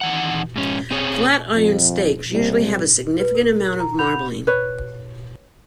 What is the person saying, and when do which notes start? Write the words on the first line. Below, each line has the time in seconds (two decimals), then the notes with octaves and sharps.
Flat iron steaks usually have a significant amount of marbling.
0.01 D#3 E3 F#5
0.56 G#2 C#4
0.91 C4 G#4 C#5
1.54 F2
2.32 C2
3.19 B4
3.35 A#4
3.80 A#5
3.99 F#5 B5 G6 F7
4.47 B4 C#5